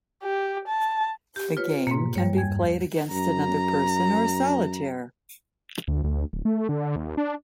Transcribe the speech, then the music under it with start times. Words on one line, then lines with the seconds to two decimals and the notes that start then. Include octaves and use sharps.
The game can be played against another person or solitaire.
0.23 G4
0.68 A5
1.36 G4
1.57 F4 B4 C#5
1.87 G#2 B2 A#3
2.15 G2 G3 C#5
2.37 E2 G5 G#6
3.11 F#2 A#5
5.88 D2
6.04 D2
6.33 D1
6.45 A3
6.69 D3
6.96 D#2
7.17 D4